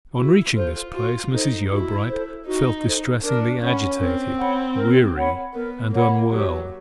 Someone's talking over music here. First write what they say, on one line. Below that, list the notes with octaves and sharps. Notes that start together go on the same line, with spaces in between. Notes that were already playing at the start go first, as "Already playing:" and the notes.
On reaching this place Mrs. Yeobright felt distressingly agitated, weary, and unwell.
E4 F#4
F4 A4 C5
F4 F#4
D#4 A4 C5
E4 F#4
A4 C5
D#4 F#4
A4 C5
D4 A#4
C#4 C#5 F#5 B5
C4 A#4
C#5 F#5 B5
A#4
C#5 F#5 B5
B3 A#4
A#3 C#5 F#5 B5
F#3 G4